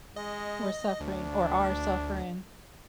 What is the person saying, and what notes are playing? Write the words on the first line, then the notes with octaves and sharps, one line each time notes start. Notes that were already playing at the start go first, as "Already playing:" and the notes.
we're suffering or are suffering
G#3 D#5
D2 D4